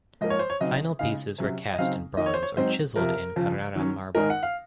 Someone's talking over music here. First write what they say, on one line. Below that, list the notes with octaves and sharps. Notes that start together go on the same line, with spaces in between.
Final pieces were cast in bronze or chiseled in Carrara marble.
G#2 F3 A#3 D#5
C#5
C5
C#5
C#3 F#3 C4 D#4 D#5
C#3 G#3 D#4 F5
C3 F#3 C#4
D#5
C#3 F#3 C4 D#4 F5
D#3 A#3 D#4 D#5
C#5
C5
C#5
G#2 F#3 C4 D#4 C5
F2 C3 F3 A#4
F2 C#3 F3
D#3 F#3 C#4
G#2 D#3 G#3 D#4 A#4
F#5
F5